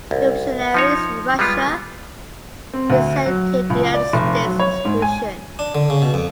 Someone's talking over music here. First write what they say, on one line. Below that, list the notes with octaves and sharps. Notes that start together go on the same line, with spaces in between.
Revolutionaries in Russia resented the United States intrusion.
C2
F3 D#4 C#5
G3 G#3 B3 F4
C4
D2
F#3
C#2
D5
F1
F#3
C#5
G#2
G#5
D4
D3
C#3
B2
F2